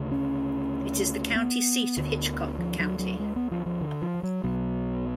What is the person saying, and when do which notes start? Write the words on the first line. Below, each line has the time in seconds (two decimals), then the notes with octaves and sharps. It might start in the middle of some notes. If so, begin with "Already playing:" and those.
It is the county seat of Hitchcock County.
Already playing: D2 C#3
0.11 C#4
1.36 B3
1.97 D2 D3
2.59 F3
2.80 F#3
2.99 F#3
3.19 G#3
3.36 B3
3.51 F3
3.66 F3
3.81 D3
4.02 F3
4.23 F#3
4.43 B1 B2 F#3